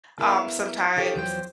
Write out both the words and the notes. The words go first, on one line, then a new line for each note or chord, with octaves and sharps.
um, sometimes
B3 E4 G#4 A#4 E5 F5
D#4 F4 G4 A4 C#5
E2 F3 F#3 C5 G5